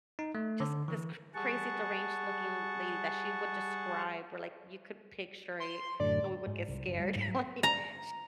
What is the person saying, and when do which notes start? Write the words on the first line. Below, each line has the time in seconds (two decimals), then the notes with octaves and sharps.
just this cr crazy deranged looking lady that she would describe where, like, you could picture it, and we would get scared, like, she'd
0.19 D#4
0.35 A3
0.60 D3
0.88 E3
1.34 G3 G#4 F#5 A5 C#6
5.60 C6
6.00 F#2 A2 D3 D5
6.47 G#2
6.68 C2
6.87 F#1
7.00 G3
7.15 G#2
7.28 F#3
7.63 A#5